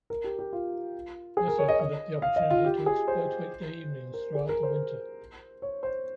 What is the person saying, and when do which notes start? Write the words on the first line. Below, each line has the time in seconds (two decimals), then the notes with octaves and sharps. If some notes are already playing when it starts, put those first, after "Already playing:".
This opened up the opportunity to exploit weekday evenings throughout the winter.
0.10 A#4
0.24 G4
0.39 G4
0.53 F4
1.37 G#4
1.48 A#4
1.59 C#5
1.68 D#5
1.80 D#5
2.22 F5
2.36 D#5
2.50 F4
2.65 G4
2.86 G#4
3.08 C5
4.14 A#4
4.35 G#4
4.49 A#4
4.63 C5
5.62 C#5
5.83 C5